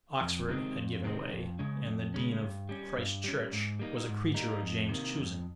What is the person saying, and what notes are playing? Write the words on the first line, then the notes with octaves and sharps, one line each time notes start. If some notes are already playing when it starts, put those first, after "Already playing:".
Oxford had given way, and the Dean of Christ Church was a creature of James's choosing.
F2
C3 D#3 G#3 C4
F2
C3 D#3 G#3 C4
F2
C#3 G#3 C#4
F2
C#3 G#3 C#4
G2
G3 C#4
G2
G3 C#4
G#2
G3 A#3 D#4
G#2
G3 A#3 D#4
F2
C3 D#3 A#3
F2